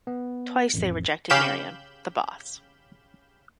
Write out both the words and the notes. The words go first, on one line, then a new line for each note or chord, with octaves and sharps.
Twice they rejected Mariam — the Boss.
B3
A1 F2
C#3 G4 F5 B5 G6 E7